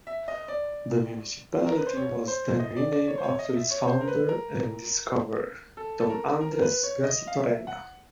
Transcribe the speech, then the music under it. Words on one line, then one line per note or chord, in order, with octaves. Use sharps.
The municipality was then renamed after its founder and discoverer, Don Andres Garchitorena.
E5
D#5
D5
A#4
B4
C5
C#5
C5
D#5
D5
D5
C#5
C5
C#5
D#5
E5
C#5
C#5
C5
A#4
B4
A#4
A4
A4
A#4
A#4
A#4
B4
C#5
D#5
F5
E5
F#5